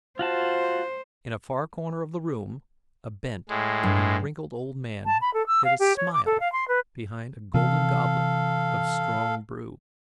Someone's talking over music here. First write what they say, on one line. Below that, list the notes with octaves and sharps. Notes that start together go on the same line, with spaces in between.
In a far corner of the room a bent and wrinkled old man hid a smile behind a golden goblet of strong brew.
F4 F#4 C5 A5
A2 G#3
G2
A5
B5
A4
E6
F5
G4
C#5
D6
A4
F5
C6
B4
C3 E3 C4 A4 F5